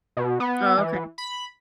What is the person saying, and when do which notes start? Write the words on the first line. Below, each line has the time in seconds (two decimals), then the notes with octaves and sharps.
Oh, okay.
0.17 B2
0.40 B3
0.78 E3
1.18 B5